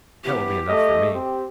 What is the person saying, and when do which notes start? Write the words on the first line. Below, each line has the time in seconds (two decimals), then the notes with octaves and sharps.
That will be enough for me.'
0.24 E3 B3 G4
0.69 A3 D#5
1.15 C4 G4